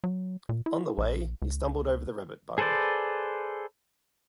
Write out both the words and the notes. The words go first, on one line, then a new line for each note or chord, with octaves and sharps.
On the way, he stumbled over the rabbit burrow.
F#3
A#2
E4
A#1
C#2
G#4 A4 B4 C5 D5